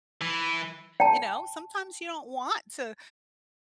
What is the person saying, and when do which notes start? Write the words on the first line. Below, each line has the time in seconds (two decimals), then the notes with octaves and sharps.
you know, sometimes you don't want to
0.22 E3
1.00 G5 A5